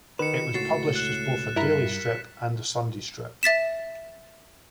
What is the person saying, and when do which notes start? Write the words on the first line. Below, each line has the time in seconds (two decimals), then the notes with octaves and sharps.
It was published as both a daily strip and a Sunday strip.
0.19 D#3 B4 C#7 E7
0.54 C#2 A2 F#4 A6 C7
0.95 F#6 E7
1.56 G2 E4 A#4 B6
3.43 E5 A6 B6 E7